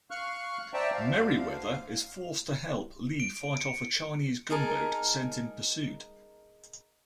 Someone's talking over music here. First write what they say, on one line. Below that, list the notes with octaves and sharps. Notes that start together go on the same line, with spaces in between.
Merryweather is forced to help Lee fight off a Chinese gunboat sent in pursuit.
F5 C#6 F6 F#6
C5 D5 E5 G5 A5 A#5
D2 F5
D7
C#7
D#4 G#4 A#4 A5